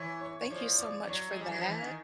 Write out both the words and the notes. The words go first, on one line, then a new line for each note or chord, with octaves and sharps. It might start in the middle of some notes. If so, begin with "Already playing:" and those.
thank you so much for that.
Already playing: E3 C#5
C#5
C#5
F3 D5
D5
G3
F#3 C#5
G#3
G3
F#3
F3
E3
D#3